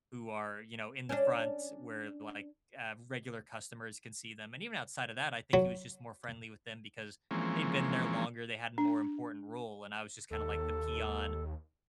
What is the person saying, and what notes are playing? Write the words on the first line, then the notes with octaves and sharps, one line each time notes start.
who are, you know, in the front where, like, uh, regular customers can see them. And even outside of that, I think he was just more friendly with them because they'd been there longer, they had a more important role. And I was just kind of like the peon.
C#4 D4
F#3
E3 F3 G#3 A#3 C4 C#4
D4
D#2 A4